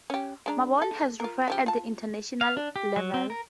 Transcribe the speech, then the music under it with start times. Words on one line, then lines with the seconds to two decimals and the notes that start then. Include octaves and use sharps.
Mabon has refereed at international level.
0.10 C#4 G4
0.46 G#3 D4 A#5
0.78 G#4 A4
1.20 F4 A#4
1.48 C#3 F3 G4
1.66 F4 A5
2.41 F5
2.57 D4
2.76 G4
2.96 F#3
3.14 C4
3.30 A#4